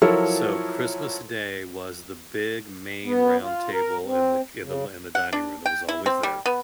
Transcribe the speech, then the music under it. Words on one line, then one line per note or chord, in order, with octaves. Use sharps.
so, Christmas Day was the big, main roundtable in the k in the l in the dining room- that was always there-
F3 F#3 E4 A4 A#4 C#5
B3
F4
A#4
C4
C#3
F#5
D4
G5
E4
C4
G3
B3